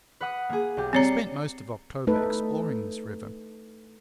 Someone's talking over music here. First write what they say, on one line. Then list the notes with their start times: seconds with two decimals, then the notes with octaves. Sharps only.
He spent most of October exploring this river.
0.21 B4 F#5 D#6
0.49 A#3 G#4
0.77 B1 G4
0.93 G3 C4 C#5 A#5 C7 C#7
2.07 A3 D#4 A4 B4